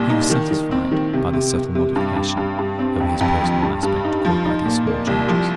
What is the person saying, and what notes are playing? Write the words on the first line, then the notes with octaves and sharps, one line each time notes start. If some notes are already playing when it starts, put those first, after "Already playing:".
He was satisfied by the subtle modification of his personal aspect caused by these small changes.
Already playing: C2 A#2
D#4
D#3
D#3
C4
D#3
C3
C3
C3
C3
G2
G2
G2
G2
C4
F2
F2
F3
G2
G2
D#4
F3
D#4
A#2
A#3
C2
F3